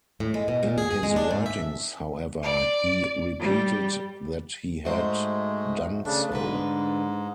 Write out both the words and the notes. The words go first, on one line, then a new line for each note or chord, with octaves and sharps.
In his writings, however, he repeated that he had done so.
A2
G#3
B2
A#2
G#4
G#4
G#3
D4
G#2
E5
D5
G3
G#2 G#3 A3 F#4 C5
C#3 A3 D4
G#2 D3 D4 B4